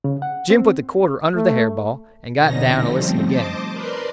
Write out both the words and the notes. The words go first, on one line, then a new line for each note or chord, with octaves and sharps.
Jim put the quarter under the hair-ball, and got down and listened again.
C#3
F#5
C4
A3
F2 B2 D3 C#4 D#4 A#6
F3 G3 A3 C4
C5 D#5 A5 D6
A#4 B4 D5 C6